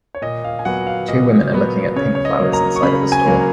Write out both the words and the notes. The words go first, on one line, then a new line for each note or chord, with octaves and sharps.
Two women are looking at pink flowers inside of a store.
C#5
A#2 D#5
F5
G#5
F#3 B3 F#5
F5
A#2 D#5
F#3 B3
C#3 C#5
C#5
D#5
F#3 A#3
A#5
C#6
C#3 B5
G#5
F#3 A#3